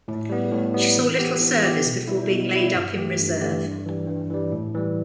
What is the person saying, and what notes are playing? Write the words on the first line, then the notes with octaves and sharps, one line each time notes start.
She saw little service before being laid up in reserve.
A2
G3 B3
A2
G3 B3
E3
B3 G4
E3
B3 G4
B2
G3 E4
B2
G3 E4
G2
E3 A3 G4
G2
E3 A3 G4
G2
E3 G3
G2
E3 G3
A2
E3 G3